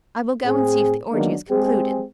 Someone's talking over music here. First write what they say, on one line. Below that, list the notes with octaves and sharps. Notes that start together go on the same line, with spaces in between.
I will go and see if the orgy is concluded.
A2 C4 G#4
D#3 F#3 G#3 A#3 B3 D4
G#3 C4 G4 G#4